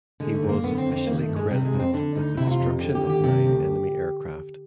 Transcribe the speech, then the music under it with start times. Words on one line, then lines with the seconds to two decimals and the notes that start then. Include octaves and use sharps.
He was officially credited with the destruction of nine enemy aircraft.
0.20 D3 G#3
0.35 A3
0.42 F#2
0.49 A#3
0.63 D3 B3
0.78 C4
0.86 F2
0.92 C4
1.07 D#3 A#3
1.21 A3
1.29 G2
1.36 G#3
1.51 C3 G3
1.65 G#3
1.72 F2
1.80 C4
1.94 D3 D4
2.15 D2 D#4
2.37 C3 E4
2.47 F#4
2.51 F4
2.59 F2
2.80 D3 G4
2.95 G4
3.03 D#2
3.10 G4
3.24 C3 G4
3.46 D2